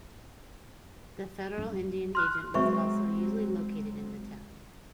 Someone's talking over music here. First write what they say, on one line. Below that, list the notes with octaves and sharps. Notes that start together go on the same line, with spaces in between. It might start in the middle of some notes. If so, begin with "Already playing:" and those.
The federal Indian Agent was also usually located in the town.
G2
C6 F6 F#6
F#3 G#3 C4 B4 E5 C#6